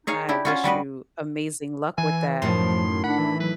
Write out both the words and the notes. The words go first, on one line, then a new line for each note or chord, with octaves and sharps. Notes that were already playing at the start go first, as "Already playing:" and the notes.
I wish you amazing luck with that,
D#4 G#4 C#5 F5
D4 E4 G4
C#4 F4 F#4
G3 F#4 B4 D#5
E3 G#5
F#2 A2 D#3 F3 C6
D4 F#5 B5
E3
F#3 B4